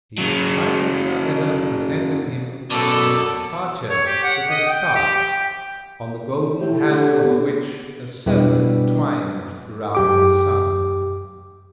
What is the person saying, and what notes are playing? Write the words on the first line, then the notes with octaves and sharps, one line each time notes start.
His disciples, however, presented him at his departure with a staff, on the golden handle of which a serpent twined round the sun.
C#3 F#3
F#2 B2 A4 D5 A5
C#5
G4
F#5
D#5
G5
G4
G5
A2 G4
D3
B3
B2 G3 D4 E4 B4 G5
F#2 G4 D6